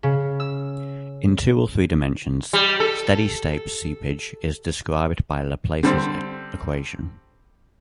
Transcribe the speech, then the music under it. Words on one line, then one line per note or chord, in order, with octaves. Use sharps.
In two or three dimensions, steady state seepage is described by Laplace's equation.
C#3
E6
G3
A4
D3 G3 C4